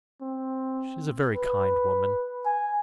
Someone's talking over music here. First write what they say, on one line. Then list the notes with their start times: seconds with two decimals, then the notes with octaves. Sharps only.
She is a very kind woman.
0.22 C4
1.35 B4
2.45 G#5